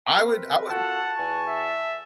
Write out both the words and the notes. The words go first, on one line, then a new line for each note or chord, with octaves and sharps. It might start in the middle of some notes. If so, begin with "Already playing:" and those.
I would I would
C4 A#4 B4
F4 F#4 A4 F#5 A5
E2 G#5 C#6
E5